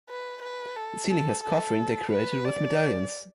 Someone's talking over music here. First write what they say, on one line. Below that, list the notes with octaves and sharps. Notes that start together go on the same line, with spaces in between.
The ceiling has coffering decorated with medallions.
B4
B4
A4
A4
A4
B4
D5